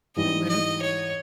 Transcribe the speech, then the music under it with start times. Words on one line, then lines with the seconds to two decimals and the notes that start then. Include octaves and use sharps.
"Ten minutes."
0.16 G#2 E3 G3 D#5
0.49 D#5
0.82 C#5